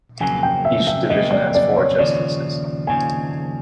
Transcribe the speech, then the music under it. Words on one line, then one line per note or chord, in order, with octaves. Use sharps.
Each division has four justices.
F2 C#3 F#3 A#3 G#5
G5
E5
E5
F2 C#3 F#3 A#3 D#5
D5
D5
C#5
D#2 C#3 F3 D5
D#2 C#3 F3 G#5